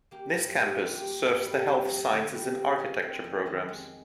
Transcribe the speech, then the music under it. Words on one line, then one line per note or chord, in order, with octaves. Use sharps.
This campus serves the Health Sciences and Architecture programs.
A#3 G4
G2 A#4
G2 G4
F3 G4
F4
G4
A#3
G2
G3
C4
F2
D3
G3
C4
G#3 A#4
C4
C5
F2
D#3 D#5
G#3